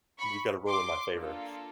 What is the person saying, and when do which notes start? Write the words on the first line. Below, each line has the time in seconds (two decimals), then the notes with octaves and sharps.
you gotta rule in my favor."
0.18 B5 C#6
0.67 C6 D6
1.15 A#3 D4 F4 A4